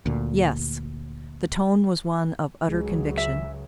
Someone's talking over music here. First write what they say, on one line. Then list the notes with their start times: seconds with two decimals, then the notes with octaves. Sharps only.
"Yes." The tone was one of utter conviction.
0.06 D2 A#2
2.68 C#2 C#3 F#3 G#3
3.17 E5